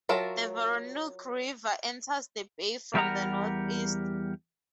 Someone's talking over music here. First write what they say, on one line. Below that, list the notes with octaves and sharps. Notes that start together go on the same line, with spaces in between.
The Veronique River enters the bay from the northeast.
F#3 F4 A#4 E5 A5
E2 G3 G4 A#4 F#5 A#5